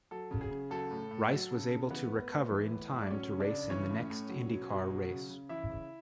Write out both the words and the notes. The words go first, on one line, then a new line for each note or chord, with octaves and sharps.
Rice was able to recover in time to race in the next IndyCar race.
F#3 A4
C#3
G#4
C#3
F#3 A4
A2
A2
F#3
C#3
C#3
E3 B3 B4
A2
A2
E3
A2
A2
D5
F#3 C#4 C#5
C#3
D4 D5
C#3
E3 C#4 C#5
A2
A2
F#3
B2
B2
F#3
C#3
C#3
E3 E4 E5
C#3